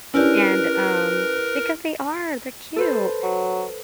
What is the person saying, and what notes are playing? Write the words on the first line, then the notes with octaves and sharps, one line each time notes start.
and um Because they are, they're cute,
C#4 D4 E4 G4 A#4 B4
A4 B4 C5
F#3